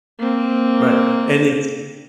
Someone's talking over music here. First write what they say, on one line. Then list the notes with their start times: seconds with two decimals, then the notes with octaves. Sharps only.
Right. And it's
0.19 A#3 C4